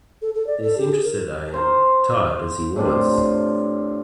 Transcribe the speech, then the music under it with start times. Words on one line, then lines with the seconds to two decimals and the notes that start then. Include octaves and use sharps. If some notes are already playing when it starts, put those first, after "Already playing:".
This interested Ayaan, tired as he was.
0.22 A4
0.35 A4
0.47 D5
0.62 A4
0.77 G4
0.91 G#4
1.04 A#4
1.54 C5 F5 A#5
2.76 A2 C3 D4 F4